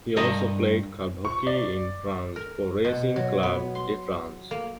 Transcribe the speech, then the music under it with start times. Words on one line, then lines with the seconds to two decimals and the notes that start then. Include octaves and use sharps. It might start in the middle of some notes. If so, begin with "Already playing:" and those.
He also played club hockey in France for Racing Club de France.
0.16 G2 A#4 D#5 A#5
1.25 C#6
1.47 D5
2.36 A#4
2.84 B2
3.16 F#3
3.43 B3
3.75 C6
4.51 A#3